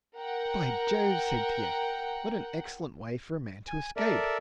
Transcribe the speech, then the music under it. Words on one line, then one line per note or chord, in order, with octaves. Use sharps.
"By Jove!" said T. X. "What an excellent way for a man to escape!"
A#4 F#5 G5
G#5
A4 A#4 D5 E5